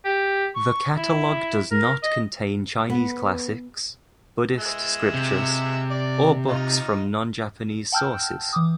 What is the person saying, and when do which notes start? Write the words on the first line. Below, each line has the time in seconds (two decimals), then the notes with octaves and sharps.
The catalog does not contain Chinese classics, Buddhist scriptures, or books from non-Japanese sources.
0.05 G4
0.56 C#6
0.97 E4
1.71 A#4
2.03 D#5
2.90 B3
4.59 G#3 E5
5.14 C3
5.91 D5
6.48 D#4 F4
7.92 F#5 G5 A5 E6 F6 G6
8.53 E3 D6 D#6